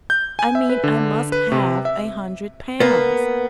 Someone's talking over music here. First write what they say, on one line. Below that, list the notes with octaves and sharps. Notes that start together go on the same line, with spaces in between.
'I mean I must have a hundred pounds.'
G6
G#5
E5
B4
D3
B4
C3
E5
A#3 B3